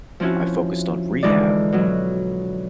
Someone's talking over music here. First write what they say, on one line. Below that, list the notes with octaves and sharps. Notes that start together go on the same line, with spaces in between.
I focused on rehab
F3 C4 C#4 E4 F#4
D3 E3 G#3 D#4 F4 D5
B2 F#3